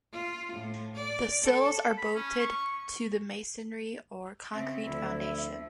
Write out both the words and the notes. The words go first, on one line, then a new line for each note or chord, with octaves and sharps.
The sills are bolted to the masonry or concrete foundation.
F4
A2
D5
A4
B5
C#4
C#6
C#3 C4 E5
D2 F3 E4